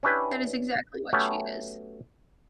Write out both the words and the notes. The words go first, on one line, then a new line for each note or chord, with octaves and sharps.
That is exactly what she is.
C#4 D4 E4 G4 B4
F#3 A3 B3 C#4 G4